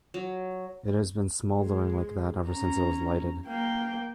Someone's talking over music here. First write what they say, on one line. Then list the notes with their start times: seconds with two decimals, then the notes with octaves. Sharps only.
It has been smouldering like that ever since it was lighted.
0.14 F#3
1.57 G#3
2.48 C#4 A#5
3.46 A#3 G5